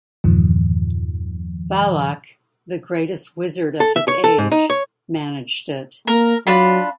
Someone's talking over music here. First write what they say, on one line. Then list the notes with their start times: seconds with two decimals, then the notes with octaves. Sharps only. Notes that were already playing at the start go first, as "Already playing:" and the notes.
Balak, the greatest wizard of his age, managed it.
0.24 E2 G2 A#2 D#3 F3
3.80 A4
3.96 E5
4.08 C#5
4.24 A4
4.38 G#2
4.52 D#4
4.70 C#5
6.07 A#3 A#4
6.47 F#3 D4 F4 B5